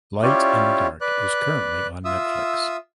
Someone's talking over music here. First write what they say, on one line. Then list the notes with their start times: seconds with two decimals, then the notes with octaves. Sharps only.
Light In The Dark is currently on Netflix.
0.23 C#4 E4 F4 G4 C#5 D5
1.01 B4 D5 F#6
2.05 F4 E5 D#6 E6